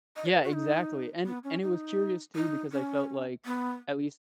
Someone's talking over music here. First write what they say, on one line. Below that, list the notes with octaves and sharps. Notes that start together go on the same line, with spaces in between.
Yeah, exactly. And and it was curious too because I felt like, at least,
D#5
C#5
B4
F#4
D#4
B3
C#4
D#4
D#4
C#4
B3